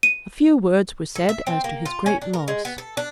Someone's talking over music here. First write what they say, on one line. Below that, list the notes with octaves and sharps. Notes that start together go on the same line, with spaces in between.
A few words were said as to his great loss.
D#7
A4
E5
C4
A#3
F4
C#4
D4
A#4
G#3
B3
A4
D4